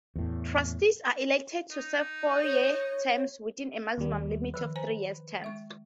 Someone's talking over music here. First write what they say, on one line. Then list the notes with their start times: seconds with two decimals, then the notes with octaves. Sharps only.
Trustees are elected to serve four-year terms, with a maximum limit of three terms.
0.16 E2 A2
1.71 D#4
2.44 C#5
3.98 D#2 G3
4.54 D#3 F3 B4
4.76 C5 G#5 A#5
5.42 G#3 E5 C#6